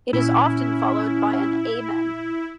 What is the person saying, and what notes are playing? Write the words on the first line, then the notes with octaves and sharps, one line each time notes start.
It is often followed by an "Amen".
A#2 C#4 E4